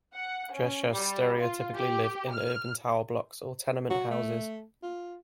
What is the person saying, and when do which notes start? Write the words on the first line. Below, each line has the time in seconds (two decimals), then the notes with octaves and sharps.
Dresiarze stereotypically live in urban tower blocks or tenement houses.
0.14 F#5
0.52 C#4
0.94 G3
1.40 F4
1.76 G4
2.31 F6
3.90 F#4
4.10 A3
4.83 F4